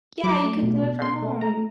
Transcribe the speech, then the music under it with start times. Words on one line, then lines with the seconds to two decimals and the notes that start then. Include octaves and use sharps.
Yeah, you could do it from home.
0.24 F#3 D6
0.44 A3
0.63 B2
0.83 B2
1.02 B2 C6
1.22 A3
1.41 A3 A#5